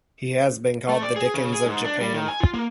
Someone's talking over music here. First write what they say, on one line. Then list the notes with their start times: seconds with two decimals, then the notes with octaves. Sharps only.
He has been called the Dickens of Japan.
0.89 A3
1.03 D5
1.16 G#4
1.34 C#3
1.53 G#4
1.66 G#2
1.85 D4
2.01 G3
2.13 D#3
2.28 G#5
2.40 F4
2.54 A#3